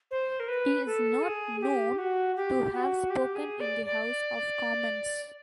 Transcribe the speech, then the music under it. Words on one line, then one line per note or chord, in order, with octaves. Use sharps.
He is not known to have spoken in the House of Commons.
C5
A#4
B4
A4
G#4
G4
F#4
G4
F#4
G4
G#4
D5
D5